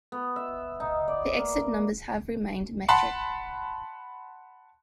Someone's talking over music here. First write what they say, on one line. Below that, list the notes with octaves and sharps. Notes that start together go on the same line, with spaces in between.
The exit numbers have remained metric.
B3
E5
D#4
D5
A#3
F#5 A5 B5 C6